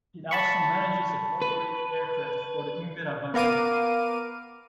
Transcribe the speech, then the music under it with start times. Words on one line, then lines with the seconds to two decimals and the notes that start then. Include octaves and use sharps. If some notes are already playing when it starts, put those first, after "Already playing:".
It also manages a corporate aircraft for Inveravante.
0.31 A5 B5 C#6
1.42 B4
3.34 B3 A#4 F5 D6 D#7